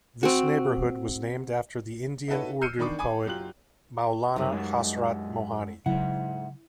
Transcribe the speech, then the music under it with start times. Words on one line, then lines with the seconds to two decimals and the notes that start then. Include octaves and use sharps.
This neighbourhood was named after the Indian Urdu poet Maulana Hasrat Mohani.
0.23 C4 F#4
2.28 D#4 E4 F#4 A4 B4 C#5
2.61 E6 F6 G6 C7 C#7 D#7
2.78 E2 D#3 D4 B5 C#6 D6
2.99 G#5 B5 D6
3.26 F#1 F#3 F4 G4 F#6 F#7
4.36 F#2 C#3 G3 D#4
4.53 G#3 E4
5.86 G#2 C#3 F#3 E4 F#5